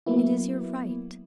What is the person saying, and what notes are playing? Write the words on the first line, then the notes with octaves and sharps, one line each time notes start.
It is your right.
F#3 A#3 B3 E4